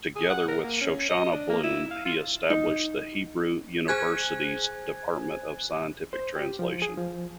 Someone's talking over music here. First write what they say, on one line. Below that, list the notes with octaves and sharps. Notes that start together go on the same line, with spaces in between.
Together with Shoshana Bloom, he established the Hebrew University's Department of Scientific Translation.
G#4
F#5
A#4
A#3
C#4
D#5
D4
A#3
E4
F5
F4
D#4
G#4 C5 G#5 F#6 G#6
C5
G4
F3
G#4
F3